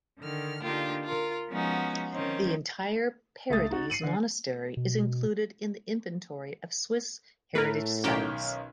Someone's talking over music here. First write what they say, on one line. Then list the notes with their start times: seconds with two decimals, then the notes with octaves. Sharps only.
The entire "Paradies" monastery is included in the Inventory of Swiss Heritage Sites.
0.19 D3 D#3 F6
0.62 D3 A#3 D4 D#4 F4 G4
1.04 F4 A#4
1.49 F3 G#3 B3 C#4 D#4 F#4
2.11 D#3 F3 C4 C#4 D#4
3.50 C#2 A3 E5 D#6 A6
3.70 D#4 F#4
3.90 C7 C#7 D#7 F#7
4.03 D3
4.77 B2
7.55 A2 A3 A#4 B4
8.04 B1 D#3 C#4 F#4 G4 A#4 G5